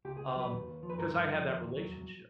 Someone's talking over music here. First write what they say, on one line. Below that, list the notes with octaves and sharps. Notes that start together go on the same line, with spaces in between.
um, 'cause I have that relationship.
C#2 G4
C#2 G#4
C5
F#3 B4
D#2
D#2
F3
B4
G2 A#4
G2
F3
D#2
D#2
F#3
E2